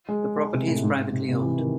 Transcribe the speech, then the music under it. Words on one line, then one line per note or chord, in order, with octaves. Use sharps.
The property is privately owned.
G#3
G#3
C3
A2
G#2
C3
C3
E3
D#3